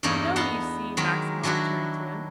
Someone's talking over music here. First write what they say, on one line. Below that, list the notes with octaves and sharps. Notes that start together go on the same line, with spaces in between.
"No, you see," Maximov turned to him.
E2 G2 A3 A#3 D#4 C#5
B3 F#5 A5 A#5 C6
D#3 F#3 G#3 A#4 B5
D#3 F#3 D4 E4 F#4